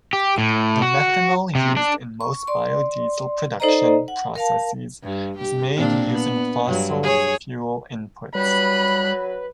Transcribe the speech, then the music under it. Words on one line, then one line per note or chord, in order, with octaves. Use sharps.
The methanol used in most biodiesel production processes is made using fossil fuel inputs.
G4
A2
F#4
C3
D4
C#6
D5 C6
D#4 A4 C5 D5 D#5 A#5
F#5
A#4 F5 A5
G2
G4
A#2 C4 D4
B3
G2 F#3
G#4 C#5
F#3 G3 B4 B5 F#6